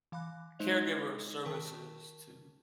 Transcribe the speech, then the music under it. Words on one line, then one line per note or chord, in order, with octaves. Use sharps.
caregiver services to
E3 F5 B5 D6 F#6
G#3 D#4 C5 D#5 E5 F7
D#3 A#4 A5 B6